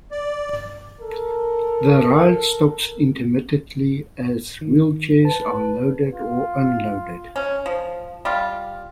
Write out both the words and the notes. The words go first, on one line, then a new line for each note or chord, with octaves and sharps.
The ride stops intermittently as wheelchairs are loaded or unloaded.
D5
A4 A#4
D#3
B4 A5
F4
C#4
F3
G3 F4